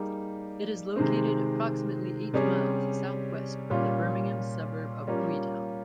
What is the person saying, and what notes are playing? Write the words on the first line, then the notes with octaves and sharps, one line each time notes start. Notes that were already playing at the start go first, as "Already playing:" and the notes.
It is located approximately eight miles southwest from the Birmingham suburb of Hueytown.
Already playing: G3 A#3 D#4 G#4
C3 D#3 G#3 C4
C3 G3 C#4 G#4
A#2 G3 C#4 F4
G3 A#3 C#4 F4